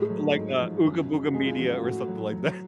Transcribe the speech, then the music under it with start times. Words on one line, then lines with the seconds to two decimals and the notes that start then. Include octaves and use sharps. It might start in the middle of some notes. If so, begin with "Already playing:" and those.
Like, uh, Ooga Booga Media or something like that.
Already playing: A2 G#3 G#4
0.10 F#3
0.35 G#2
0.60 F3
0.85 F#2
1.10 C#3
1.25 F#4
1.34 F#2 G#3 G#4
1.46 F4
1.59 F3 F#4
1.71 F4
1.83 A2 F#4
2.08 F#3
2.33 F#3